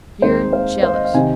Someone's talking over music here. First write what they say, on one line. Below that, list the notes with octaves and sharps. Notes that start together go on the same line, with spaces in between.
"You're jealous!"
D#2 D#3 G#3 C4 D#4 C5
C5 F5
C5 F5
D#5
F5
C3 D#3 C4 D#5 G#5